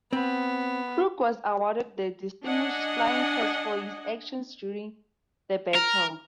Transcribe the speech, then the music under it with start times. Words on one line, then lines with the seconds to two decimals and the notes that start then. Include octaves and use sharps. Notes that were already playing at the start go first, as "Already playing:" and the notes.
Crook was awarded the Distinguished Flying Cross for his actions during the battle.
0.13 B3 C4
2.44 D4 D#5 F#5 G#5
5.76 A#4